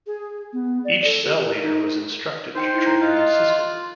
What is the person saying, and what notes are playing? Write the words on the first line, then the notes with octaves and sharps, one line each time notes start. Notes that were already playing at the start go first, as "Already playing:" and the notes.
Each cell leader was instructed to train an assistant.
G#4
B3
D5
A4
G4
A#4
D#4
D#4 C5 G5 C#7
E4
A#5
F4 D#5 F#6
D#5
C6